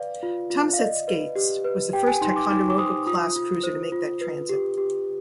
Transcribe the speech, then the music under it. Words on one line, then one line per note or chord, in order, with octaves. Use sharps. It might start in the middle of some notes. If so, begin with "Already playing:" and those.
"Thomas S. Gates" was the first "Ticonderoga"-class cruiser to make that transit.
Already playing: B4 D5 F5
F4
F4
F5
D5 D#5
B4
G4
B4
G4 G5
G#5
D#4 C6
D6
D#4 D6
D6
C5 D#6
F4 D#6
F4
C5
F4
B4
G4
G4